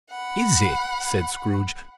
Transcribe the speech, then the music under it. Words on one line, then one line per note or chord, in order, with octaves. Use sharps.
"Is it?" said Scrooge.
F#5 B5